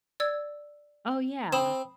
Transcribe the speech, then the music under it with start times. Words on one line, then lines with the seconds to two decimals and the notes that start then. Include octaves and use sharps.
Oh, yeah.
0.20 D5 E6 G#6
1.53 C4 B5 D#6 E7